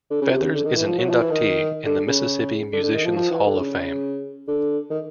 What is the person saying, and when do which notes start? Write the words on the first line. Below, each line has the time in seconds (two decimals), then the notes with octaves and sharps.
Feathers is an inductee in the Mississippi Musicians Hall of Fame.
0.11 D3
0.21 C#3
0.32 C3
0.43 C#3
0.54 D3
0.65 D#3
0.76 E3
0.87 F3
0.98 F#3
1.09 F3
1.20 E3
1.31 D#3
1.86 D3
2.07 C#3
2.73 D3
2.83 D3
2.94 D#3
3.05 F3
3.16 F3
3.31 E3
3.46 D3
3.60 C#3
4.48 D3
4.90 D#3